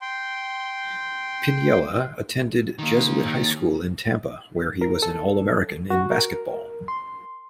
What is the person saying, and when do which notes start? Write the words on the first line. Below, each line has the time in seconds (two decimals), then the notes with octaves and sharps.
Piniella attended Jesuit High School in Tampa, where he was an All-American in basketball.
0.02 G5 C6
2.79 D#3 A#3
4.81 A#4
5.03 A4
5.90 F#4
6.11 A#4
6.88 C6